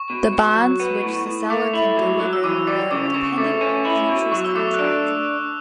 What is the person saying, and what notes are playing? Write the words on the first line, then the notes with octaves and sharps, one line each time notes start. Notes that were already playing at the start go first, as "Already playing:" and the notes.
The bonds which the seller can deliver vary depending on the futures contract.
Already playing: C#6
B2
B2
F#3
B3
A2
A2
A3 D6
E4
F#3
F#3
E6
E3 D6
G3 D6
C#3 D6
C#3 C#6
A3 D6
C#4
E4
B2
F#3 C#6
E6
A3 D6
F#6
D4 E6